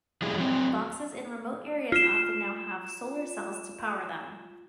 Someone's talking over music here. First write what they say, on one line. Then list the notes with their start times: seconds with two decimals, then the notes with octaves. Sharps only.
Boxes in remote areas often now have solar cells to power them.
0.22 F3 G3 E4 G#4
0.38 F#3 C4
1.92 F4 E7